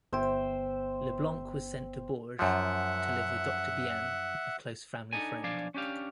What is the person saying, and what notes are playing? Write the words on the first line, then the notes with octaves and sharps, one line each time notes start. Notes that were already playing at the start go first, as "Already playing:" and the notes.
Leblanc was sent to Bourges to live with Doctor Bien, a close family friend.
G1 B3 C5 E5 G5
F#2 F3 E5 F#5
D4 D#4 A4 G#5
B1 F3 D4 D5 F5 G#5
C#4 D4 G4 F5